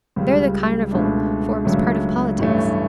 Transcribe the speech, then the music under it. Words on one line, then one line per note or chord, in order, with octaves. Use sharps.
There the Carnival forms part of politics.
C#2 C#3 G3
C#2 B2 A3 D4
C#2 C#3 F#3 A3 D4
A1 G2 E3 A3 C#4